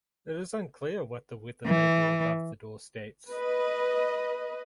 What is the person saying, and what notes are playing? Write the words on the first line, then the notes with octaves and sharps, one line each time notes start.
It is unclear what the weathered label above the door states.
E3
B4 D#5